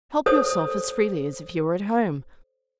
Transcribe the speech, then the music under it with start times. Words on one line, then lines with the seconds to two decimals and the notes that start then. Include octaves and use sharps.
Help yourself as freely as if you were at home!
0.26 A4 C5 C#5 D#6